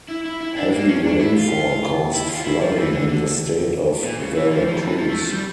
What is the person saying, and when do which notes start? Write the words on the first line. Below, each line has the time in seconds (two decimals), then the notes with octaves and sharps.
Heavy rainfall caused flooding in the state of Veracruz.
0.08 E4
0.25 E4
0.41 E4
0.56 D4
0.73 A#3
0.88 C#4
1.04 D4
1.19 E4
1.36 F4
2.14 E4
2.30 F4
2.45 E4
2.61 F3
2.78 E3
2.93 D3
3.09 D3
4.03 A#2
4.19 C#3
4.35 E3
4.51 F3
4.67 F3
4.82 E3
4.98 F3
5.09 A3
5.18 F3
5.30 G3